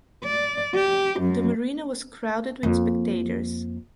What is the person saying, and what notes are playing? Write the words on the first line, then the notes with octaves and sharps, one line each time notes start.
The marina was crowded with spectators.
D5
G4
F#2
F2 A#3